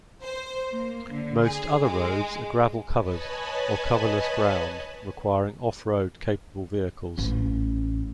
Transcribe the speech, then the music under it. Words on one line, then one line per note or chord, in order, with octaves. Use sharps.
Most other roads are gravel-covered or coverless ground, requiring off-road capable vehicles.
C5
A#3
D3
G#4
G#3
B4 C#5 D#5 G#5 A5 B5
A1 C#4